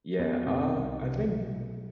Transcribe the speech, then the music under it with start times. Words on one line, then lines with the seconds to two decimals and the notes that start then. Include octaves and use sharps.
Yeah, uh, I think
0.19 F2 B3
0.46 B2 C4
0.74 C2
1.01 C2
1.29 B1
1.56 B1